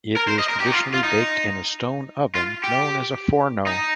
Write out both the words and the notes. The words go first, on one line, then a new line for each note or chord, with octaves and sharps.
It is traditionally baked in a stone oven known as a "forno".
A#4
C5
D#5
A#4
G4
D#4
F4
F4
D#4
F4
G4
D#4